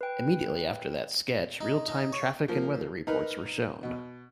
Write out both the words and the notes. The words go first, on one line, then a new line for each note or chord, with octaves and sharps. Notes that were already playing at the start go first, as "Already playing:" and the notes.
Immediately after that sketch, real-time traffic and weather reports were shown.
B4 G5
D#4
D#4
C#5
F3 A#3
D#4 A#4 B4
B2